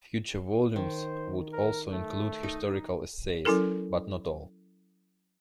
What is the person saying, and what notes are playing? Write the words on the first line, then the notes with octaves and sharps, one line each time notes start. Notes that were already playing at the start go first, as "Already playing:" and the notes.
Future volumes would also include historical essays, but not all.
D#3 C5
A#4
A3
D#4
F#3 C#4 E4 A4 A#4